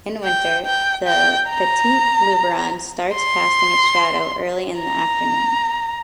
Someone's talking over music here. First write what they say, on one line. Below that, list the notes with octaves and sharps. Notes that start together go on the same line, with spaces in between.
In winter, the Petit Luberon starts casting its shadow early in the afternoon.
G5
G5
G5
A#5
C6
A#5